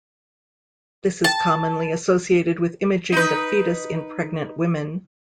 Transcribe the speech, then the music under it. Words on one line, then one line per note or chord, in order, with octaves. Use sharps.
This is commonly associated with imaging the fetus in pregnant women.
A5
D#4 B4